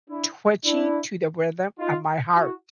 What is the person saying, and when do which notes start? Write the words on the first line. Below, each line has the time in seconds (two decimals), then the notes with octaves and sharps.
twitching to the rhythm of my heart.
0.09 D4 E4
0.65 D4 E4
1.79 D#4 F4
2.35 E4 F#4